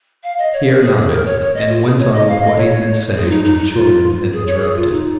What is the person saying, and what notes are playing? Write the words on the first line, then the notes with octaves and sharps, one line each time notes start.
Pierre nodded, and went on with what he had been saying when the children had interrupted.
F5
D#5
C#5
A#4
G#4
G#4
A#4
C#5
C#5
D#5
F4
G#4
C#5
D#5
F5
D#5
C#5
G#4
F4
D#4
D#4
D#4
F4
G#4
C#5
G#4
F4
D#4